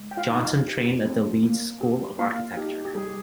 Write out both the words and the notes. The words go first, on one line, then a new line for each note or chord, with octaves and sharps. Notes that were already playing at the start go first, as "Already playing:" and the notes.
Johnson trained at the Leeds School of Architecture.
Already playing: G#3
G5
F4 F5
D#4
G4
C4
A#3
G4
A#3 F4 F5
D#4 G4
G4
G3 G#4